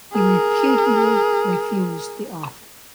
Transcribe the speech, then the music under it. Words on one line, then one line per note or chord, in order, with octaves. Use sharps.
He reputedly refused the offer.
G#4 A#4